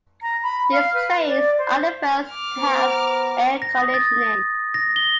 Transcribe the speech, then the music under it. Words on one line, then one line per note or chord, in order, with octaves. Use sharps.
These trains are the first to have air conditioning.
A#5
B5
F5
B4
D5
C5
D6 F6
B3 C5 A#5
A#6
D#6
A6
A#6
G7